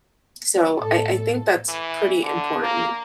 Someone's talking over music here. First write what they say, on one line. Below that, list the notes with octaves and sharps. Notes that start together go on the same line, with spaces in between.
so I I think that's pretty important.
A2 A4
E3
D3
A#3